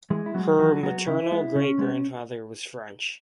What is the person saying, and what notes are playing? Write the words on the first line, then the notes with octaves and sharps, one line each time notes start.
Her maternal great-grandfather was French.
E3 G#3 G#4
E4
F#3 B3 F#4
G#3
E3 F#3 F#4
F#3 G#3 B3 F#4
C#3 E4
G#3 B3
C#3 C#4
G#3 B3